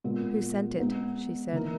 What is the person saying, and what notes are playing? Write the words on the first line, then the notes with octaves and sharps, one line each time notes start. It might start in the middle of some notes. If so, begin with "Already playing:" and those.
"Who sent it?" she said.
A#2 G#3 B3
G#3 B3 D#4
E3 A#3 D#4 A#4